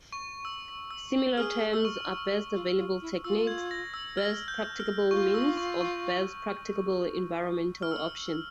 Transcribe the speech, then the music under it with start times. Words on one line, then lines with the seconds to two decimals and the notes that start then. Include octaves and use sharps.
Similar terms are "best available techniques", "best practicable means" or "best practicable environmental option".
0.12 C#6
0.45 E6
0.91 E6
1.37 G#4 F6
1.73 E6
1.85 C#6
2.31 G4
2.54 F4
2.77 F4
3.01 E4
3.24 F4 E6
3.47 G#6
3.71 A#6
3.94 E6
4.17 F6
4.48 G6
4.80 F6
5.10 F4 C#6
5.34 E6
5.57 C#6
5.81 C#6
7.82 F6
7.91 E6